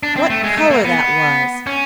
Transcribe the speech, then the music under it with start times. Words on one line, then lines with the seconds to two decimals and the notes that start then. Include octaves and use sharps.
What colour that was!
0.03 D4
0.16 C4
0.30 A3
0.44 G#3
0.57 A3
0.71 A#3
0.84 B3
1.67 C#4